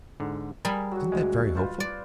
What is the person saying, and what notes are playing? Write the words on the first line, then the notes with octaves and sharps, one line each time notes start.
"Isn't that very hopeful?"
G#2 D3
G3 G#4 A#4 B5
F#3 F#4
D2 G#3
F4 B4 C5
D5